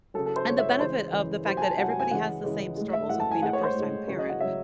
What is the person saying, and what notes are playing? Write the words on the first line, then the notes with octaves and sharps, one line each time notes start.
And the benefit of the fact that everybody has the same struggles with being a first-time parent
C#3 F#3 A4
A4
C5
C#3 F#3 C#5
E5
C#5
C#3 E3 G#3 C5
C#3 E3 G#3
C3 F#3 C5
G#5
A5
C3 F#3 F#5
G#5
G#5
C#3 E3 G#3 F#5
C#3 E3 G#3
A2 G#3
E5
A2 G#3 F#5
A5
G#5
A2 G#3 F#5
C#5
C5
A2 G#3
C#3 F#3 C#5
D#5
F#5
C#3 F#3 E5